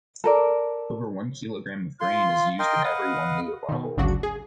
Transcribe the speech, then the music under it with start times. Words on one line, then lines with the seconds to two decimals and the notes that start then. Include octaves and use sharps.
Over one kilogram of grain is used in every one-liter bottle.
0.24 A4 A#4 D5
2.01 F4 C6
2.59 A#4 D#5 G5 C6
2.84 B4 D#5 F5 F#5
3.69 B2 D#3
3.97 G#1 D2 C#3 F#3 D4 F#4
4.23 G#4